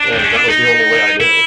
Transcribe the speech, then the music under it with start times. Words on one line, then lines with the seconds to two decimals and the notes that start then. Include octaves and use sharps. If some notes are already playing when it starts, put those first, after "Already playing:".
and that was the only way I knew.
Already playing: D4
0.12 C4
0.25 C#4
0.37 D4
0.49 D#4
1.20 E4